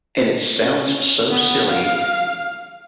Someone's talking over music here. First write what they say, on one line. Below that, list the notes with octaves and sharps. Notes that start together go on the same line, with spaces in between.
And it sounds so silly,
C#4
B3
F5